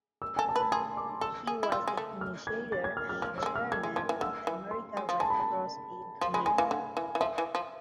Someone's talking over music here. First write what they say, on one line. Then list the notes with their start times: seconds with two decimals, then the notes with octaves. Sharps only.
He was the initiator and chairman of the American Red Cross Aid Committee.
0.22 E6
0.36 A4 G#5
0.49 A5
0.56 B4
0.60 B5
0.72 G#4 C6
0.97 D6
1.21 A4 E6
1.47 G#4
1.63 E4
1.72 F4 E6
1.88 G#3
1.97 A3
2.21 F6
2.47 G#6
2.72 A6
2.84 G#6
2.97 F6
3.09 F6
3.22 F3 F6
3.38 A3 E6
3.46 G#3
3.56 F6
3.72 A3 G#6
3.83 G#3
3.96 F3 G#6
4.09 E3
4.21 D3 E6
4.47 E3
4.71 C6
4.97 G#3
5.09 F3
5.20 G#3 A5
5.30 B5
5.40 A5
6.21 F3 C6
6.34 G#3 B5
6.46 G#3 G#5
6.58 E3 F5
6.71 D3
6.97 E3
7.15 E3
7.21 F3 E5
7.38 E3
7.55 F3